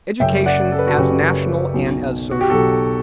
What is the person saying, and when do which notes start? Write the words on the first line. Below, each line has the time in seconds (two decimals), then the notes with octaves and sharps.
Education as National and as Social.
0.20 F#1 F#2 C#3 E5 G5
0.46 D5 F#5
0.72 A4
0.79 B4
0.87 F#4 A4
0.97 F#1 F#2 C#3 G4
1.74 B1 B2 F#3
2.31 F#4
2.41 G4
2.50 B1 B2 F#3 F#4 A4